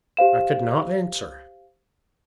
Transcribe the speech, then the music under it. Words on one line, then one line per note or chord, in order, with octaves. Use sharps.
I could not answer.
G4 C5 F5 E7